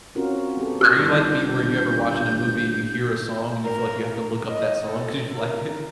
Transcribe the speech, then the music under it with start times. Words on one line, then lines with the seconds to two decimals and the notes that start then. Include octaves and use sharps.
Are you like me where you ever watching a movie, you hear a song, and you feel like you have to look up that song 'cause you like it?
0.15 C4 C#4 F4 F#4 A#4
0.57 B3 G4 A4
0.99 G1 D#3 D4 G6
3.63 A#4
4.48 D#5
4.87 A4
5.34 A#4